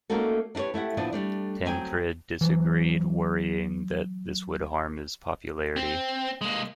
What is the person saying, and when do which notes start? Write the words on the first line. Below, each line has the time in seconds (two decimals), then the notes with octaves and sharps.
Tancred disagreed, worrying that this would harm his popularity.
0.10 A3 A#3 C#4 D#4 F#4 A4
0.55 D4 E4 G4 B4 C#5
0.74 A3 E4 G4 F#5
0.97 D2 A#2 F3 B3 D4 D5
1.13 G3 A3 D4
1.65 D2 F#3 C4 G5 G#5
2.41 E3 F#3
5.76 C4
6.41 G#3 A#3